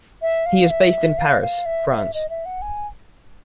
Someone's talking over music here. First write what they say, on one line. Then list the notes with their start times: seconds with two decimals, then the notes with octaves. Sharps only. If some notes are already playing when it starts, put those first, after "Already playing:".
He is based in Paris, France.
0.22 E5
0.46 F5
0.70 E5
1.18 F5
1.42 F5
1.66 E5
1.90 E5
2.14 D#5
2.30 E5
2.46 F#5
2.62 G#5